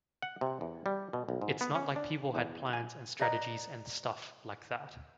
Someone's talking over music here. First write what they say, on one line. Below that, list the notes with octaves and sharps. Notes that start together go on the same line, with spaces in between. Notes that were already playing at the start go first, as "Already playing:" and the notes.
It's not like people had plans and strategies and stuff like that.
F#5
C3
E2
G3
B2
B1
G#2
B3
C#4
D4
E2
G#5
B4 D5 D#5 A#5